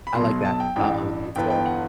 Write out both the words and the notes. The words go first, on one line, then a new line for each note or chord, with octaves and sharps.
I like that, um, and, so,
B5
B1 B2 F#3 C6
A5
G5
A1 G2 E3 G5
G1 G2 E3 B3 G5
G5
F#5